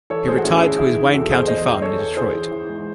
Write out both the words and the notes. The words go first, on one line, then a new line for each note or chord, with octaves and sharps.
He retired to his Wayne County farm near Detroit.
E3 A4 C#5
A2 G#4 C5
F#4
A2 C#4 E4
E3 E4 G#4
D#3 E4 G#4
D#3
E2 F#4 A4
E2 G#4 C5
E2 C5 D#5
E2
E2 A4 C#5
E2
E3 G#4 C5
E3
E3
G#2